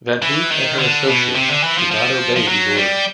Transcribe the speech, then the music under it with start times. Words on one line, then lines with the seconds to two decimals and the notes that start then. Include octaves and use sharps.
Van Hoof and her associates did not obey these orders.
0.22 E3
0.51 D#3
0.79 D3
1.07 B2
1.35 C3
1.49 D3
1.63 E3
1.78 F3
1.92 F3
2.36 F3
2.48 F#3
2.76 G3